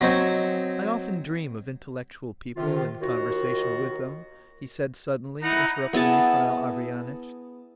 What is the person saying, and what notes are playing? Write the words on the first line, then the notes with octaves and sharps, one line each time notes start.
"I often dream of intellectual people and conversation with them," he said suddenly, interrupting Mihail Averyanitch.
F#3 C4 D#4 C5 C#5
C3 D#3 F4
D#2 D#3 F4 F#4
D#4 E4 F#5 A#5
B3 E4 G#4 A5